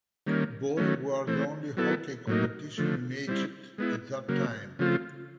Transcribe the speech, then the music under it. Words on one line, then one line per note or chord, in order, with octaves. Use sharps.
Both were the only hockey competition in Egypt at that time.
D#3 G3 A#3 C#4
D#3 F#3 A3 C#4
E3 A3 C4
F#3 B3 E4 A4
A2 F#3 A#3 D#4
D3 F3 A3
G3 C4 E4
G#3 B3 E4
C#3 F#3 A#3
C#3 F3 A3 C4 F4